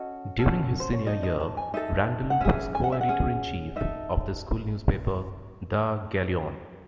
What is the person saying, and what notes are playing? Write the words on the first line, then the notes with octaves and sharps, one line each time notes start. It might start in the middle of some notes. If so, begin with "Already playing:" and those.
During his senior year, Randall was co-Editor-in-Chief of the school newspaper, "The Galleon".
Already playing: C#4 F#4 A4 D#5
C#4 F#4 A4
C5
C#5
D#4 A4 D#5
D#5
A5
G#5
D#4 A4 E5
F#5
C#4 G#4 E5
G#5
F#5
E5
F#5
C#4 G#4
D#4 A4 E5